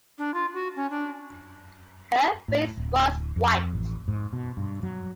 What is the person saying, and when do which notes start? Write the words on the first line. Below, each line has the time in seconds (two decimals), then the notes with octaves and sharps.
Her face was white.
0.18 D4
0.34 F4
0.54 F#4
0.76 C#4
0.90 D4
2.48 A2
2.77 D1
3.36 F2
3.73 A1
4.08 G#2
4.33 B2
4.57 G2
4.83 F#3